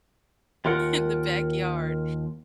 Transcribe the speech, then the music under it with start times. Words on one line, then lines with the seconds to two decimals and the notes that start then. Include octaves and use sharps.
in the backyard.
0.65 D#2 F4 A#4 F#5